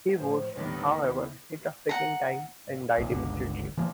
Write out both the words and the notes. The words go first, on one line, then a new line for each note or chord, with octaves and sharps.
He was, however, hit a second time and died immediately.
A2 F3 C5
D#2 A2 D3 D#3 G3 B3
E4
F#5 A#5
B1 A#2
G1 C#2 D3
E3 F3 A#3